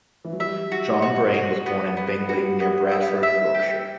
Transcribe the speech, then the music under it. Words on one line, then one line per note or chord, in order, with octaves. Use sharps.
John Braine was born in Bingley, near Bradford, Yorkshire.
E3
F#3
G3 E5
F#4
F#4
F#4
B3
B3
G3 F#4
B3
E5
E5
G4